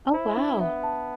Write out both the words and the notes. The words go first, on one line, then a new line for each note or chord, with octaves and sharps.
Oh, wow.
E4 C5
D4
B3 E5
A5